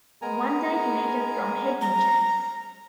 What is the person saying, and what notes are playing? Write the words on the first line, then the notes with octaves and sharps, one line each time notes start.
One died later from head injuries.
G#3 B3 A#4 G#5 A#5
A#5